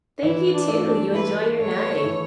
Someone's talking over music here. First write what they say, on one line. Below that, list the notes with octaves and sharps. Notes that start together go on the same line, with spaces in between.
Thank you, too, you enjoy your night.
E3 E4
D4
A3
D4
E4 B4
A3 C#5
E3